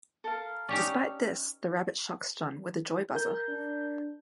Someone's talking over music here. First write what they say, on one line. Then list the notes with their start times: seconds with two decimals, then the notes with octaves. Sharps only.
Despite this, the rabbit shocks John with a joy buzzer.
0.24 A4 A#4 F5
0.69 C#4 D#4 G4 C#5 D5
3.15 A#4 G6
3.49 D4